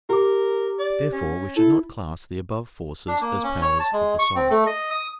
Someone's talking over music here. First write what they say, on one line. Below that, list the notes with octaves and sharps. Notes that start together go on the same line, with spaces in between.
Therefore we should not class the above forces as powers of the soul.
G4 A#4 D6
D5
C#4
E4 A4
D4
A#3
C#4
C#5
A5
G#3
C#6
C4
A3
D#5
D#6